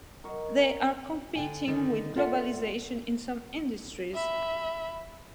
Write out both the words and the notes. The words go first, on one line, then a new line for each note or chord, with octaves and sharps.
They are competing with globalization in some industries.
F#3 A#4 D#5 C#6
D3 G5 G#5
D3 D#3 D#4
F4 A4 A#4 D5 E5 F#5
E5 B5